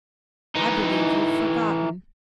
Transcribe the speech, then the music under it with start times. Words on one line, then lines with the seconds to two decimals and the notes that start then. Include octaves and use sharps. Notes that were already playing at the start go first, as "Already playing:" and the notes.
"I believe you've forgotten."
0.55 E3 D#4